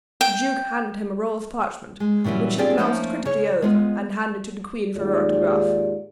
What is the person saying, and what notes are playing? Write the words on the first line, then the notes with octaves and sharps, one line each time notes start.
The duke handed him a roll of parchment, which he glanced critically over, and handed to the queen for her autograph.
G5
G#3
A#2 C#3 E3 F#3 G3
C4 D4 F4 G4 G#4 D5
F3 A3 A#3 C#4 D#4 C5
C#3 C#5
G#3 B3 F4
D#2 G#2 F4 G4 G#4 D5